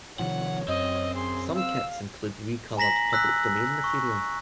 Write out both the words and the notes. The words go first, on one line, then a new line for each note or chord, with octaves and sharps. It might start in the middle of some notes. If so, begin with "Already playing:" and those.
Some kits include re-colored public domain material.
C3 D#3 F3 C#5 F#5
F#2 C4 D#5
G#4 C6
F5 E6
G#5 A#5 A#6 B6 F#7
E6 F#6 B6
C#6